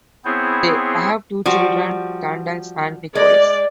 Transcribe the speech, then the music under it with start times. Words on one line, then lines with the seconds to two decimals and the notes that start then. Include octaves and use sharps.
They have two children: Candace and Nicholas.
0.25 B3 C4 E4 G#4 C5 C#5
1.46 F3 G3 F#4
3.15 G#3 D5